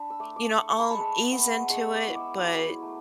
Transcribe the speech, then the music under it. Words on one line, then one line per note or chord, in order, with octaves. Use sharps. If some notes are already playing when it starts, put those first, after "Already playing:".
you know, I'll ease into it, but
Already playing: D4 B5
E6
A3 D6
D6
C#6
A3
C#6
B5
G#3 A5
B5
B3
G#3 C#6
D6
E4
D6 E6
F#3
A3